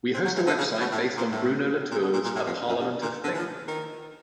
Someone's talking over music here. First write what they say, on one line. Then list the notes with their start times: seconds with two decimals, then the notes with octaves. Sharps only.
He hosts a website based on Bruno Latour's 'A Parliament of Things'.
0.14 C4
0.25 F#3
0.36 E3
0.47 D3
0.58 C#3
0.81 B2
0.92 A2
1.17 A#2
1.32 A2
1.91 A#2
2.02 B2
2.13 A#2
2.24 A#2
2.36 A2
2.47 F2
2.68 F#2
2.79 G2
3.01 A#2
3.24 D3
3.34 E3
3.39 F3
3.68 D#3